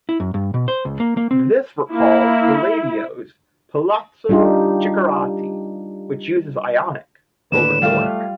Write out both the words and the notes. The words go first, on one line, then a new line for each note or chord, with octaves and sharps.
This recalls Palladio's Palazzo Chiericati, which uses Ionic over Doric.
E4
F#2
G2
B2
C5
C#2
A#3
A#3
C4
A#3 E4
G3 D4 D#4 F4 G4
D#2 A2 D3 B4 E7
G3 A3 F4 F5